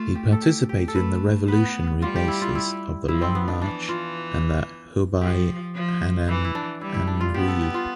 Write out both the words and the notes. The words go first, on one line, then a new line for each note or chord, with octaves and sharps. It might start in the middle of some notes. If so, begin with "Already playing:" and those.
He participated in the revolutionary bases of the Long March and the Hubei-Henan-Anhui.
Already playing: A3 F4
G4
A4
G4
G4
A4
A3 B4
B3 B4
G3 F4
G4
E4
F4
E4
F3 E4
C4
B3
D4
E3 D4
F4
F3 G4
F3
E3 E4
E4
D4
G3 E4
E4
D4
F4
B3 G4
A4
G4
F4